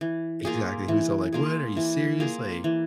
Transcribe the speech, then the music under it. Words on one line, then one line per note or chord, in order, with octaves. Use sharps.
Exactly he was all, like, "What? Are you serious"? Like,
E3
A#3 F4 G#4
E3
A#3 F4 G#4
E3
A#3 F4 G#4
E3